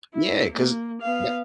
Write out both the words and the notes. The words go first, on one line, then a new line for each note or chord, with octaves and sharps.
Yeah, 'cause Yep.
E4
A#3
B3 F5